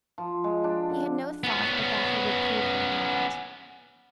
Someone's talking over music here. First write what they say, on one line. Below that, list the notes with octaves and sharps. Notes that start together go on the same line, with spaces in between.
He had no thought but that he would prove worthy of it.
F3
G#3
D4
D3
B3 C#4